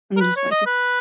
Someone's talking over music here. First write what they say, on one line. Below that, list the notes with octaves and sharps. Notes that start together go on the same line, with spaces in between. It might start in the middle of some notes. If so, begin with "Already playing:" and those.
I'm just like it
A#4
B4
C#5
D#5
B4